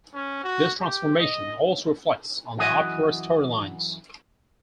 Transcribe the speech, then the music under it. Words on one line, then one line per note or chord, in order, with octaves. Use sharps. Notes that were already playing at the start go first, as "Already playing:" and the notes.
This transformation also reflects on the opera storylines.
C#4
F#4
G4
D#5
F#2 E3 F#4 D#5 G#5